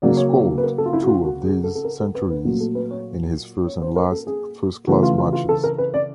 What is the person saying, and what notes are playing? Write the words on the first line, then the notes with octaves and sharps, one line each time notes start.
He scored two of these centuries in his first and last first-class matches.
C#3 F#3 A#3 D5
C#5
C#5
B4
A#4
A4
F4
E4
F#4
F4
F#4
G#4
A4
A4
A#4
A4
B4
B4
A#2 F#3 A3
A4
B4
C#5
C#5
C5
A#4
A4
G#4
C#3 E3 A3 F#4
F4
F4
F4
A4
A#4
B4
D5